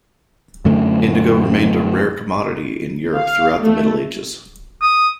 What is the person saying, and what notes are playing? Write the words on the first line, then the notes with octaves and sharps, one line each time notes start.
Indigo remained a rare commodity in Europe throughout the Middle Ages.
F#2 D3 A3
F5
A3
D#6